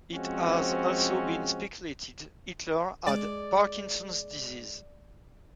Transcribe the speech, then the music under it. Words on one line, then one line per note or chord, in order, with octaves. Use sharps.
It has also been speculated Hitler had Parkinson's disease.
F3 G#3 C4 C#4 F#4
G#3 D5